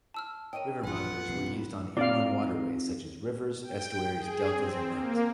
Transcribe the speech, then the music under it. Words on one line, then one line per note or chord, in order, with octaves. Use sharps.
River monitors were used on inland waterways such as rivers, estuaries, deltas and lakes.
A5 E6 F6
A#4 C#5 D#5 G5 D#7
A#1 E2 F4 B4 F#5 G#5
B1 E2 C3 C7
C4 D#4 F4 D5 F5
G5
G#4
C4
A#3